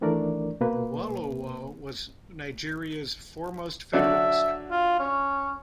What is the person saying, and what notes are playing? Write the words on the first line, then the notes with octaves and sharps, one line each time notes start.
Awolowo was Nigeria's foremost federalist.
D#3 E3 A3 D4 A#4 D5
B2 A#3 B4
D3 F#3 D4 E5
F4
C#4